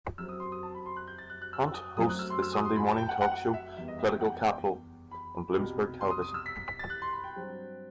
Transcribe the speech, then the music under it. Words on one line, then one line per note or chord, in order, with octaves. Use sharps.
Hunt hosts the Sunday morning talk show "Political Capital" on Bloomberg Television.
F#2 F#3 C4 E6
D#6
C6
D#6
A5
B5
C6
F#6
G6
A6
F#6
F#6
E6
D#6
F#2 F#3 A3 C4 D#6
F#6
E6
C6
E6
D#6
C6
B5
A5
G5
F#5
F#5
F#5
E5
E2 D#3 G3 B3 E5
D#5
E5
G5
F#5
G5
G5
B5
C2 B2 G3
C6
D#6
D#6
E6
B6
B6
B6
A6
F#6
C6
B5
G5
G2 F#3 C4